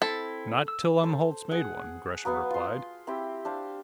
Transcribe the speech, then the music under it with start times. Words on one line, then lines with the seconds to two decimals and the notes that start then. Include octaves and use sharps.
"Not till Umholtz made one," Gresham replied.
0.02 C4 E4 A4
0.68 E6
1.03 A4 C5
1.51 G#4 F#5
2.25 F#3 B3 B4 F5
2.50 F4 C6
3.07 C4 E4 G4 G5
3.45 D4 C5 F5